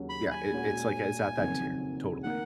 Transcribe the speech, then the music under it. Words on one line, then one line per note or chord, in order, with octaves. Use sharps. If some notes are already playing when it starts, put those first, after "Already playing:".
yeah, it it's like it's at that tier, totally,
Already playing: D#2 C#3 F#3 C#4
B5
G#5
A#2 G#3 C#4 F#4
F#1 F2 D#3 F#3
D#3 A#3 F#5